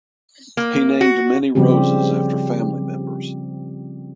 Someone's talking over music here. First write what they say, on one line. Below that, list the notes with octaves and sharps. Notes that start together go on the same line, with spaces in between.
He named many roses after family members.
A#3
F#4
C#3 F3 G3 C4 G4